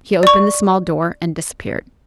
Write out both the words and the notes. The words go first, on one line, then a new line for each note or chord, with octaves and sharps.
He opened a small door and disappeared.
D5 C#6